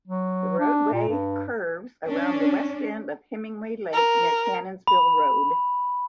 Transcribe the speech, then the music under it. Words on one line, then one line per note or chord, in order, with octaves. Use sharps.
The roadway curves around the west end of Hemmingway Lake near Cannonsville Road.
F#3
D4
A#2
G2
C#4 D4
A#4
B5